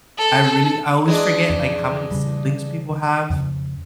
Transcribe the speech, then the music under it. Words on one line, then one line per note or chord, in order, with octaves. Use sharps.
I really I always forget, like, how many siblings people have
A4
E2 G#3 D4
F2
C#3 G3
F2 C#3